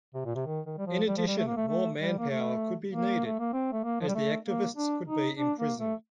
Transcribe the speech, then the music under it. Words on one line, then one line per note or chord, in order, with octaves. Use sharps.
In addition, more manpower could be needed as the activists could be imprisoned.
C3
A#2
C3
D#3
D#3
G3
F3
G3
F3
G3
A3
A#3
A3
A3
G3
A#3
A3
A#3
A3
A#3
C4
A3
A#3
F3
G3
A3
A#3
D4
D#4
D4
A#3
A3